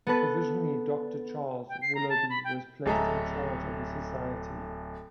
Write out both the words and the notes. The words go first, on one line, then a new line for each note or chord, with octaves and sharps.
Provisionally Doctor Charles Willoughby was placed in charge of the society.
B3 A4 B4
G5
C7
A#5
A5
B5
G5
D1 G#4 A4 D#5 E5 A#5